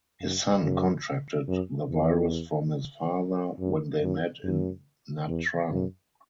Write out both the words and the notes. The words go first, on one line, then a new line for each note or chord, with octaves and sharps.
His son contracted the virus from his father when they met in Nha Trang.
F#2
F#2
F#2
E2
F#2
F#2
F#2
E2
F#2